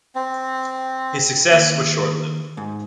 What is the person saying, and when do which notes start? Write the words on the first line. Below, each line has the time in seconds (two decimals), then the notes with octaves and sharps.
His success was short-lived.
0.15 C4
1.52 D#2
2.57 G#2